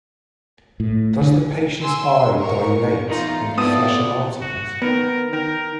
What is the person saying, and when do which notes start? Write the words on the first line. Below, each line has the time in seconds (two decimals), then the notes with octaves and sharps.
Does the patients eye dilate when you flash a light on it?
0.80 A2
1.21 D3
1.80 G#5 C6 E6
2.37 A#4 C#6
3.08 E2 D#4 F4 A#5
3.58 F3 B3 C4 E4 A4 D5 A5 D#6
4.41 F#4
4.82 D#3 B3 A#4
5.33 D#3 A#4